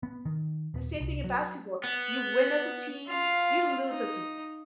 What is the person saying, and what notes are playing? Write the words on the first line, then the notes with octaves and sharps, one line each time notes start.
The same thing in basketball, you win as a team, you lose as a
B3
D#3
D#1
C2
F#3
B3
F4 F5
D#4